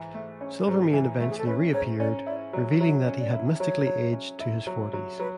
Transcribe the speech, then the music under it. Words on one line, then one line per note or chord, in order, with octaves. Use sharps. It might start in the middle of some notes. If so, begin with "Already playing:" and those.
Silvermane eventually reappeared, revealing that he had mystically aged to his forties.
Already playing: G#2 E3
A3
C#4
G#2
E3
A3
G#4
A4
C#4 B4
G#2 C#5
C#4 D5
E4 D5
F#3 D5
F#3 E5
C#4
D5
E4
F#3 C#5
F#3
C#4
E4
F#3
F#3
F#3 B4